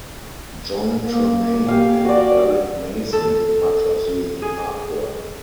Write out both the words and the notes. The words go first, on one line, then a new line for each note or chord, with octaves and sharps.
Jon Tremaine and Eric Mason did much of the artwork.
A#3
G4 F5 G#5
F#4 D5
A4
G#4